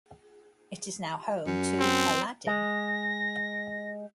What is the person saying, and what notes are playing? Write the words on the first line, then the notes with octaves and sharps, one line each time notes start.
It is now home to "Aladdin".
F#2
C4
G#3 A#6